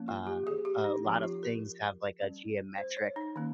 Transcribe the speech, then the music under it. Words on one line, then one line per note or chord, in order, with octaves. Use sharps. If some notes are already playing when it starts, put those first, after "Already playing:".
uh, a lot of things have like a geometric,
Already playing: F3 A#3 C#4
F4
G4
G#4
G4
D#4
F3 C4
G4
F4
A#4
G3 C#4
C5
C#5
D#4
D#3 A#3 C#4